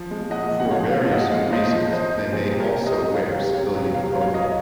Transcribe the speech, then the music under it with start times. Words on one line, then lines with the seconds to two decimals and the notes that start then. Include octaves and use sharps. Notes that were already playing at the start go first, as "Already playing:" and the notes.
For various reasons, they may also wear civilian clothing.
Already playing: F3
0.11 G#3
0.31 A#2 D#5 F#5
0.51 F3
0.60 F#5
0.71 F3 C#5 F5
0.91 F3 C#5 F5
1.11 A#2 D#5 F#5
1.32 G#3 C#5 F5
1.52 G#3 C5 D#5
1.72 F3
1.93 F3 C5 D#5
2.13 A#2
2.33 C3 G#4 C5
2.53 C3
2.60 A#4 C#5
2.74 C3
2.86 C5 D#5
2.94 C3
3.13 F#3 C#5 F5
3.34 C3
3.54 C3 C#5 F5
3.75 F#3
3.94 C3 C#5 F5
4.15 F#3
4.21 C#5 F5
4.34 F#3 D#5
4.42 F5